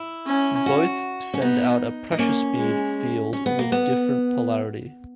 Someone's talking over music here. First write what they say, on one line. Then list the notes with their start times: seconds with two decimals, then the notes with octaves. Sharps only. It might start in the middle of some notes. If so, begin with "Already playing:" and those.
Both send out a pressure-speed field with different polarity.
Already playing: E4
0.27 C#4
0.66 F#4
1.34 C#4
1.42 B3 D#4
2.12 D#4
2.18 A#3 C#4
2.56 G#3
3.33 C#4
3.46 B3
3.59 A#3
3.72 B3